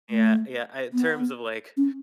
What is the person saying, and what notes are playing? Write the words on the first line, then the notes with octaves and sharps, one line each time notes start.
Yeah yeah, in terms of, like,
A3
B3
C#4